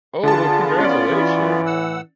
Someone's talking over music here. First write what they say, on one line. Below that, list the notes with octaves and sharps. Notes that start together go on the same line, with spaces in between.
Oh, well, congratulations!
D3 B3 F4 G#4 A5
C#4 D5
E3
A2 F#5 E6